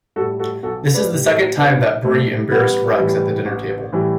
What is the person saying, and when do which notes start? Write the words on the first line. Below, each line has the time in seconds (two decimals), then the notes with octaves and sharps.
This is the second time that Bree embarrassed Rex at the dinner table.
0.16 G3 F#4 A4
0.20 A2
0.39 F#4 A4
0.63 B1 F#4 A4
0.94 B4 D5
1.11 A2 G3
1.26 A4 C5
1.58 B1 B3 D4
2.04 A2 G3 A3 C4
2.51 A1 G3 B3
2.99 A2 E3 G3
3.45 A1
3.92 A2 E3 G3